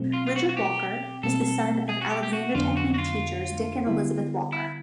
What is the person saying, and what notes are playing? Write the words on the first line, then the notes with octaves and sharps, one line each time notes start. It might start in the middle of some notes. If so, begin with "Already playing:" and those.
Richard Walker is the son of Alexander Technique teachers Dick and Elisabeth Walker.
Already playing: B2 F#3 A3 C4
F4
F4
F#4
F#4
G4
B2 G3 C4 A4
G#4
F#4
G4
G4
F#4
F2 D3 F#3 B3 D4 F4
F#4
F#4
F4
D3 G3 B3 E4
E4